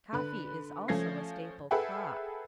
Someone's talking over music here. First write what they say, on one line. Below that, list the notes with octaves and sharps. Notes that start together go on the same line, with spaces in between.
Coffee is also a staple crop.
D3 B4 F#6
F3 A3 C#4 G#6 A#6 C7
G#4 A4 B4 E5 F#5 G5